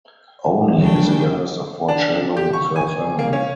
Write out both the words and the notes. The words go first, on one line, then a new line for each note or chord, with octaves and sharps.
Oni is the youngest of four children of her family.
C#3 F3 F#3 G#3 D4 G5
D4
G4
C#6
G#5
A#3
C#4